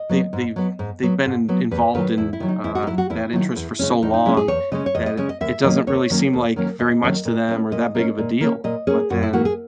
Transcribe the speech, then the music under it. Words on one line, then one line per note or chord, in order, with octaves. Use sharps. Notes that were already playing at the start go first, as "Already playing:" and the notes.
they they've they've been in involved in, uh, that interest for so long that it doesn't really seem like, very much to them or that big of a deal. But then,
Already playing: D#5
F#3 B3
G#2
F#3 B3
G#2
F#3 B3
G#2
F#3 B3
E2 B4
D#3 F#3 B4
E2 E4
E4
D#3 F#3
D#4
E2 E4
F#4
D#4
D#3 F#3 E4
F#4
E2 E4
D#3 F#3
E2
C#3 G#3 C#4
E2 D#4
D#4
C#3 G#3 C#4 E4
G#4
E2 C#5
C#3 G#3 C#4 D#5
C#5
E2 D#5
D#5
C#3 G#3 C#4 D#5
D#5
D#2 E5
D#3 F#3 A#3 C#4 D#5
D#2 C#5
D#3 F#3 A#3 C#4
D#2
D#3 F#3 A#3 C#4
D#2 D#5
D#3 F#3 A#3 C#4
A#2
A#3 C#4
A#2 D#5
A#3 C#4
A#2
A#3 C#4
A#2 D#5
A#3 C#4 G#4
F#2 F#4
E4
E3 A#3 F#4
G#4